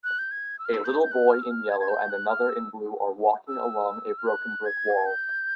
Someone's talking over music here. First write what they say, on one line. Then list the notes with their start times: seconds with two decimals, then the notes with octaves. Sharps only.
A little boy in yellow and another in blue are walking along a broken brick wall.
0.04 F#6
0.19 G6
0.31 G#6
0.59 E6
0.65 F6
0.73 E6
0.84 G6
1.03 G6
1.12 F#6
1.30 F6
1.42 E6
1.50 F6
1.70 G#6
1.80 G#6
1.89 G6
2.10 F#6
2.29 F6
2.49 E6
3.48 E6
4.18 F6
4.27 F#6
4.66 G#6
5.06 G6